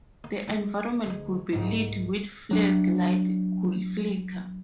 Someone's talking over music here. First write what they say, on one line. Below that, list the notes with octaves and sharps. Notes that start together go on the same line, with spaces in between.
The environment could be lit with flares, lights could flicker.
A#3
G#3
D2 G#3
C2 G#2
F#3 D4